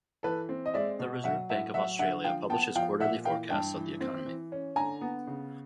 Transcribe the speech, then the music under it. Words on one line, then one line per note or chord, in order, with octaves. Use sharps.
The Reserve Bank of Australia publishes quarterly forecasts of the economy.
E3 A4 B4
C4
D#5
G#3 D5 E5
B2
F#3 E5 F#5
A2 E5 F#5
F#3 E5 F#5
D3 E5 F#5
F3 F5 G5
B3 G5 A5
F3 F5 G5
A#2 E5 F#5
E3 F5 G5
G2 G5 A5
E3
C4
E3
C#4
D3 G#5 A#5
B3
C#3